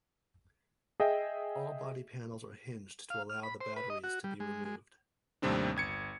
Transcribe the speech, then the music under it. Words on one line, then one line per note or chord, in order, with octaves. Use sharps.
All body panels are hinged to allow the batteries to be removed.
G#4 D#5 E5 G5
F5
F6
B5
C5
B4
D#5
F#4
G3
G#3
G#3
D#2 A2 C3 G3 C4 D4
G1 G#6 C#7